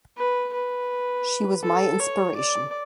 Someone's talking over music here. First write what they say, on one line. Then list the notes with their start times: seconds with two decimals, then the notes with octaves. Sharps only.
She was my inspiration.
0.17 B4
0.54 B4
1.63 A4
2.00 C#5
2.36 D5